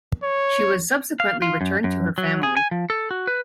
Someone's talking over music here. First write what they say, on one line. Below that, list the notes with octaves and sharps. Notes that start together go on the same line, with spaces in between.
She was subsequently returned to her family.
C#5
F5
F4
F#2
F#2
F#3
G#4
G#5
F3
A4
F#4
B4